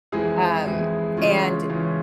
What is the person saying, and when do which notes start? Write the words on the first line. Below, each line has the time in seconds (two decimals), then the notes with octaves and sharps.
um, and
0.12 F2 E3 G#3 E4 G#4
0.65 F2 E3 G#3 E4 G#4
1.17 C#3 E3 G#3 C#4 F4
1.69 C#3 E3 G#3 C#4 F4